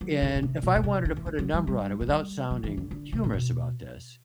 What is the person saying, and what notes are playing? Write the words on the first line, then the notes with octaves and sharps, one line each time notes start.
And if I wanted to put a number on it without sounding humorous about this,
F#3
D3
B2
C3
B2
B2
C3
D3
E3
D3
F#3
G3
G3
F#3
G3
F#3
E3
D3
D3
C3
A2
B2